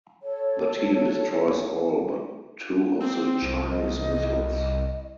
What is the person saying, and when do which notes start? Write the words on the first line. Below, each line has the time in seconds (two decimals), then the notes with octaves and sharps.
The team destroys all but two of the Chinese missiles.
0.22 A4 C#5
3.00 C4
3.42 C2 C5
3.70 D#5
4.32 D#5